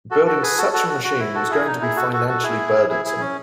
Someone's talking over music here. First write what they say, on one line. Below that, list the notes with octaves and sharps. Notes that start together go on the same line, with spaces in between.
Building such a machine was going to be financially burdensome.
F#4 A4
F#4 A4
G#4 B4
F#4 A4
F#4 A4
F#4
F#4
E4
F#4 A4
E4 G#4
D#4
E4 G#4
F#4 A4
F#4 A4
F#4 A4
E4 G#4
E4 G#4
E4 G#4
C#4